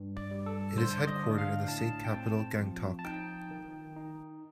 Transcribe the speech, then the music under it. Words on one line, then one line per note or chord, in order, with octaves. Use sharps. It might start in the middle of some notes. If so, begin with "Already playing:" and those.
It is headquartered in the state capital Gangtok.
Already playing: G2
D5
G3
A4
D3 C5
D5
D#5
D4
F5
A2 A5
G5
C4 A5
F3
A5
D#4 G5
D#3
D#4